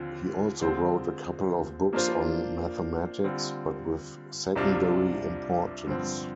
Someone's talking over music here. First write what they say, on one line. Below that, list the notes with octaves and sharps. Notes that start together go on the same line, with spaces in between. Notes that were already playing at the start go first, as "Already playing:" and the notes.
He also wrote a couple of books on mathematics, but with secondary importance.
Already playing: D#2 D3 F3 C4 F4
D3 G#3 C4 F4 C5
F3 A#3 D4 F4 C5
D3 G3 C4 F4
C2 C3 G3 D4 F4
G2 D3 F3 C4